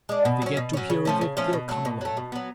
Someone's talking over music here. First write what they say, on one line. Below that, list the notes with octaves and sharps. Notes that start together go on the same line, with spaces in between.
If they get to hear of it they'll come along.
G#3 D4
B2
F#3 C#4
B2
F#3 C#4
C#3
F3 A3 C#4
C#3
F3 A3 C#4
B2
F#3 A3
B2
F#3 A3
B2
F#3 B3